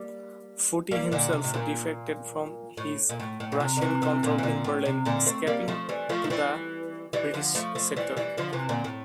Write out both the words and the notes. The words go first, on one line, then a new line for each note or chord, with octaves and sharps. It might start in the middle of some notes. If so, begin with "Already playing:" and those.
Foote himself defected from his Russian control in Berlin, escaping to the British sector.
Already playing: G3 A#3
G3 A#3
A#2 D3
C3
A2
A#2
A2
A#2
A2
A2
A#2
C3
D3
C3 E3
C3 E3
A#2 D3
E3
A#2 D3
A2
C3
A#2 D3
A3 C4
G3 A#3
F3 A3
E3 G3
F3 A3
A3
E3 G3
E3 G3
D3 F3
F3 A3
F3 A3
E3 G3
E3 G3
D3 F3
C3 E3
A#2 D3
A2